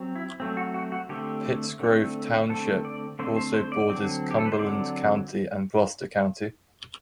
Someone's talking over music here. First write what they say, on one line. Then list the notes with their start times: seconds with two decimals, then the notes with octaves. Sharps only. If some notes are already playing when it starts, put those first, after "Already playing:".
Pittsgrove Township also borders Cumberland County and Gloucester County.
Already playing: F#3 C4
0.16 E4
0.40 F#3 A3 C4
0.57 F#4
0.74 F#4
0.92 F#4
1.09 D3 A3 C4 G4
1.80 D3 A3 C4
2.49 D3 A3 C4 A4
2.85 D5
3.19 D3 A3 C4 C5
3.36 C5
3.54 C5
3.72 D5
3.90 D3 F#3 C4
4.31 G4
4.38 A4
4.45 B4
4.52 C5
4.59 D3 F#3 C4 D5